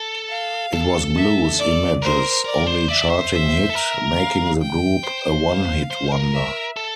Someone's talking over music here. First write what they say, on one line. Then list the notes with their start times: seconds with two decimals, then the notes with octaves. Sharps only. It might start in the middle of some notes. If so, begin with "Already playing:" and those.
It was Blues Image's only charting hit, making the group a one-hit wonder.
Already playing: A4
0.29 F5
0.73 A4
1.16 E5
1.59 D5
2.02 A#4 C5
2.45 A#4 D5
2.67 C5
2.88 D5 E5
3.09 C5
3.32 E5
3.70 A4
3.75 A#4
4.17 F5
4.61 G5
5.04 C5
5.47 F5
5.91 C5
6.12 A#4
6.33 E5
6.77 A4